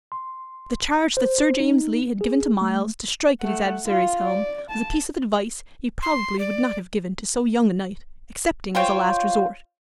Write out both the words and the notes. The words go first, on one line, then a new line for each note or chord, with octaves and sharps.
The charge that Sir James Lee had given to Myles to strike at his adversary's helm was a piece of advice he probably would not have given to so young a knight, excepting as a last resort.
C6
C5
D#4
G#4
A3
A3 F#5
F4
D5
A5
C6
D5
F4 C5 C#5 G5